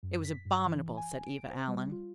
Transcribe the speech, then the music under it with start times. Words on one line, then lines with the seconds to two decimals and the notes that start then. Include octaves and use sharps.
"It was abominable," said Eva Allen.
0.03 F#2
0.25 B6
0.45 G2
0.66 E3
0.97 G#5
1.26 D7
1.50 C5
1.68 G3
1.92 F4